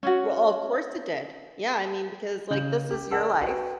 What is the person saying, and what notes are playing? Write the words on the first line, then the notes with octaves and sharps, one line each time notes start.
Well, of course it did. Yeah. I mean, because, like, this is your life,
C#4 E4 F#4
C#3 G6 F#7
G4
A#4 D5 F#5 A5 E6
F#4 B4 F#5 G5